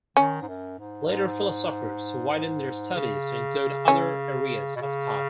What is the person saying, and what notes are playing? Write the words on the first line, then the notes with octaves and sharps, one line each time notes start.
Later philosophers widened their studies to include other areas of thought.
D#3 C#4
G#2
F#2
G#2
G#2
C#3
C#4
B2
C#3